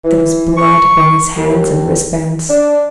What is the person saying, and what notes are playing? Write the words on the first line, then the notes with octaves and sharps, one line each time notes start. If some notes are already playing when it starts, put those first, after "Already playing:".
There was blood upon his hands and wrist-bands!
E3
C#6
D#2
D4